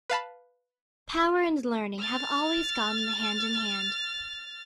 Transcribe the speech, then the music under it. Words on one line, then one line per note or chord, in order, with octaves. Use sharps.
Power and learning have always gone hand in hand.
B4 F5 A5 B5
F6 A6